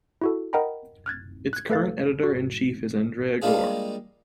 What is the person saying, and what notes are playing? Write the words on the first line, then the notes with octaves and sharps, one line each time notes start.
Its current editor-in-chief is Andrea Gore.
E4 F#4 A4
A#4 D#5 F#5 G5 A#5 B5
F6 F#6 G#6 A6
F#6 G#6
A3 A4 B4 F5 A6
F#4
G3 G#3 A#3 D4 F4 G#4